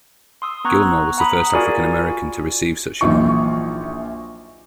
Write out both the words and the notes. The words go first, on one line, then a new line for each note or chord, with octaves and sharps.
Gilmore was the first African American to receive such an honor.
C6 D#6 E6
B3 A#5 C#6 F#6 G#6
F#5 A#5 B5 D#6
F4 F#4 G#4 A#4 D5 G#5
A#1 E3 F#3 D#4 F4 C#6